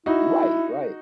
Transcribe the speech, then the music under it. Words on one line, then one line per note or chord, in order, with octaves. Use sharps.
Right, right.
D#4 E4 F#4